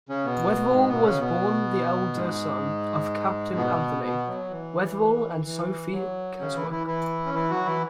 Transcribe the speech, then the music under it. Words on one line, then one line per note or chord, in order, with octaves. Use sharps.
Weatherall was born the elder son of Captain Anthony Weatherall and Sophy Keswick.
C#3 C#4
B2 B3
G#2 G#3
B2 B3
C#3 C#4
B2 B3
G#2 G#3
B2 B3
B2 B3
F#3
E3
E3
F#3
C#3 C#4
E3 E4
E3 E4
E3 E4
C#4
E3 E4
F#3 F#4
E3 E4